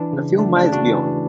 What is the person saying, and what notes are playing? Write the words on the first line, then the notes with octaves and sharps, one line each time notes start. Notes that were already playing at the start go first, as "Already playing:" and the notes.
A few miles beyond.
Already playing: E3 D4
C#3
A3 D4
D4
C#3
D4 F#4
E3